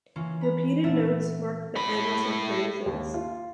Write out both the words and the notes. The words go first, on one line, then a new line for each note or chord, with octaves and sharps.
Repeated notes mark the ends of phrases.
E3 A#3 C#4 F4
A#5 B5
A#2 A3 B3 A#4 E5 A6
A2 B5
D#2
F4